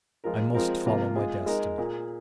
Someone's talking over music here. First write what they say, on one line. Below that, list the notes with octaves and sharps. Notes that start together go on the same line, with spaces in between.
I must follow my destiny.
F3 G#3 F4 A#4
F3 G#3 C4 F4 A#4
C3 F3 A#3 F4 A#4
G#3 F4 G#4
G#3 D#4 A#4
A#2 A#3 G#4